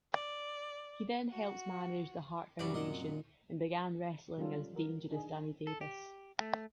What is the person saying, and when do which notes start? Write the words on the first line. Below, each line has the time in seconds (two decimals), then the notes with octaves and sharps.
He then helped manage the Hart Foundation and began wrestling as "Dangerous" Danny Davis.
0.14 D5
1.30 F#4
2.59 F#2 C3 E3 G3 F#4 D5
2.73 A#2 D#5 F#5
4.37 C#3 F#3 G3 C#4 F4 A4
4.72 E3 F#3 F#4 A#4
5.09 D#3 D4 D#4 G#4
5.67 A4
5.81 G4
6.40 A3